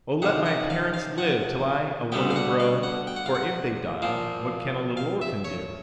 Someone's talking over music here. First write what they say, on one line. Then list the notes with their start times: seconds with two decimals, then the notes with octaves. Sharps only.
"Oh, let my parents live Till I a woman grow; For if they die, what can A little orphan do?"
0.22 C#2 C3 D#3 F#5
0.46 F#5
0.70 F5
0.94 F5
1.18 F#5
2.12 D2 D3 G3 B3 G5
2.30 F5
2.36 F#5
2.60 F5
2.83 F#5
3.07 G5
3.16 F#5
3.26 F5
3.35 F#5
4.02 A#2 F3 A#3
4.97 F5
5.21 E5
5.44 C#5